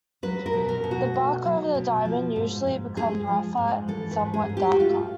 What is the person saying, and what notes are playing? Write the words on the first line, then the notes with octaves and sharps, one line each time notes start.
The bark over the diamond usually becomes rougher and somewhat darker.
F#3 B4
A#4
B2
A#4
B2
F#4
A3
F#3
B2
F3
G#2
G#2
G#3 G#4
F3
G#2
E3 A4
B4
G#2
G#4
G#2
G4
F#4
A3 F4